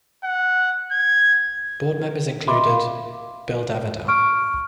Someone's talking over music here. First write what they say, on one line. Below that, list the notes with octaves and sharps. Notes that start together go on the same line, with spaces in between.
Board members included: Bill Davidow.
F#5
G#6
D#5 E5 B5 C6 D6
F5
C#6 F6 D7